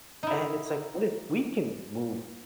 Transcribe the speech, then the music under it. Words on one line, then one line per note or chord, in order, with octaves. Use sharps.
and it's like, "What if we can move"
D#4 E4